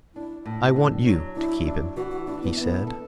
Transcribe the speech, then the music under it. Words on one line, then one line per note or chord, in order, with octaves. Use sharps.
"I want you to keep him," he said.
D4 E4
A2
D4
F#3
D4 E4
D4
E3 F#4
F#4
D4 E4
B3
B3 E4
A4